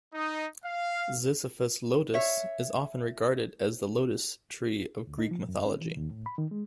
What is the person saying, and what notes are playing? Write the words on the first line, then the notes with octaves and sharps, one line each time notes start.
"Ziziphus lotus" is often regarded as the lotus tree of Greek mythology.
D#4
F5
C#5 E5
D2
D#4
F3
F#2
C#4
E3
D#2
A2
B5
D#3
G#3